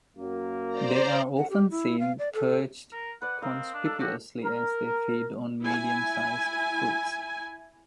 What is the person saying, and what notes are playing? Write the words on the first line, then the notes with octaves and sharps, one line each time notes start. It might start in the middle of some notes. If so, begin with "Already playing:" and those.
They are often seen perched conspicuously as they feed on medium-sized fruits.
F#2 F#3 A#3
C5 D5 A#5
F#5
G4
E4
F5
D5
A4
A#4
B4 D5 F#5
C4 A#4 D#5 F5
D4
A4
D4 F#4 G4 C#5
A#4
E4 G#5